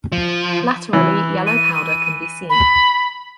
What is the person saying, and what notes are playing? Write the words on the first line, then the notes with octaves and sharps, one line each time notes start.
Laterally yellow powder can be seen.
F3
E3
D#7
B5